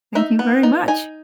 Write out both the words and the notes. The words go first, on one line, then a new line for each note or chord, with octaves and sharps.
Thank you very much.
D#4 E5
B3
D#4
D#4 G#5